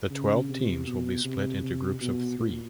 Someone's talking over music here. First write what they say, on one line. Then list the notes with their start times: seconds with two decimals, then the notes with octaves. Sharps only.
The twelve teams will be split into groups of three.
0.10 C#3
0.49 C3
0.87 B2
1.25 C3
1.63 C3
2.01 B2
2.39 A#2